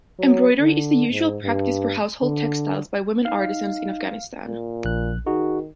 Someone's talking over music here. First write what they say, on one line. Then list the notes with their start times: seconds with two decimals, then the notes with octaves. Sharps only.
Embroidery is the usual practice for household textiles by women artisans in Afghanistan.
0.19 F#3
0.60 D3
1.11 G#2
1.43 G2
2.22 D3
3.25 D#4 F5
4.47 A#2
4.85 A#1 F#6
5.26 D#3 D#4 F#4 G#4